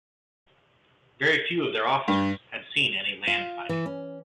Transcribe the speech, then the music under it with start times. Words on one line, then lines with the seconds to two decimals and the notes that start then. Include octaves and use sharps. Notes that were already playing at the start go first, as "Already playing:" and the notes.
Very few of their officers had seen any land fighting.
2.08 G2
3.27 F4
3.69 E3
3.86 C#4